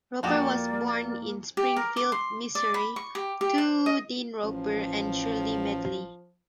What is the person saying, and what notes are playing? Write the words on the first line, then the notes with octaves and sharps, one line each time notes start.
Roper was born in Springfield, Missouri, to Dean Roper and Shirley Medley.
F2 A3 A#3 F#4 G4 D5 D#6
G4
A#4
D6
C6
D5
B5
C#6
G4
G4
C5
D#5
A1 F3